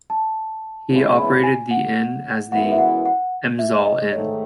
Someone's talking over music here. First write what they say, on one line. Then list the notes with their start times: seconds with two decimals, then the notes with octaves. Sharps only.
He operated the inn as the 'Elmsall Inn'.
0.10 A5
0.90 E2 C#3 G#3 B3 E4
1.18 B5
1.43 G#5
1.71 F#5
2.51 F#2 E3 G#3 B3 E4 F#5
2.72 E5
2.78 F#5
3.06 F#5
3.59 E5
3.86 D#5
4.13 G#2 D#3 A3 C#5